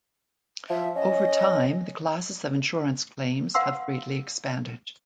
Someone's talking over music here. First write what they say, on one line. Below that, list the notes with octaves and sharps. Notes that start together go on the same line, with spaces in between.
Over time, the classes of insurance claims have greatly expanded.
F3 E5
C#4 D#5
B4 F5 F#5 C6 E6